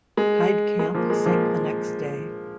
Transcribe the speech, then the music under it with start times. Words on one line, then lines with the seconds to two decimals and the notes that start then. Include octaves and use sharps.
"Heidkamp" sank the next day.
0.17 G#3
0.79 G#3
0.94 F3 A#3
1.10 G#3
1.25 F3 A#3